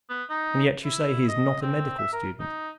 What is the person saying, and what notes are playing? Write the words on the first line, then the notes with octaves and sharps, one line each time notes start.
"And yet you say he is not a medical student?"
B3
D#4
E4
D#5
C4
E5
A#4
D#4